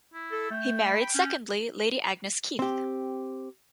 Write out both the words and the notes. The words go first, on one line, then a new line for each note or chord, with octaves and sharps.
He married secondly Lady Agnes Keith.
E4
A4
A3 G5
B5
G5
C#4 G5
C4 G4